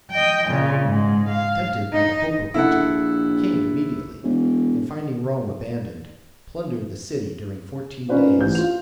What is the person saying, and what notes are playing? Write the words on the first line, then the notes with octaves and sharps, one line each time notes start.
Tempted by the hope of booty, he came immediately, and finding Rome abandoned, plundered the city during fourteen days.
D#5 G5
A#2 C#3
G#2 G#3
F5
D#4
A#1 E4 A4 F#5
E1
C#4 D#4 F4 B4 C5 D5
A1 G6
F4 F7